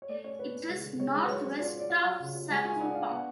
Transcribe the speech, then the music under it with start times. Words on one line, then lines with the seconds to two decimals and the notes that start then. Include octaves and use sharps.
It is northwest of Sapulpa.
0.02 C#5
0.09 A3 D5
0.24 C#4 C#5
0.39 C#4 B4
0.54 C#4
0.69 G#3
0.84 D3
1.00 G#3 C#5
1.14 G#3
1.25 B4
1.29 F#3 C#5
1.45 F#3
1.60 F4 D5
1.75 C#4 D5
1.90 F4 F5
2.05 F#3
2.20 C#3
2.35 F4
2.50 G#3 F#5
2.65 F4 G#5
2.80 D4 F#5
2.90 D5
2.95 D4 F5
3.10 B3 F#5